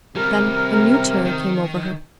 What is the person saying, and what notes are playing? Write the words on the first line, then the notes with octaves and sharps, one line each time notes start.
Then a new terror came over her.
C3 D#3 G3 A#4
D#3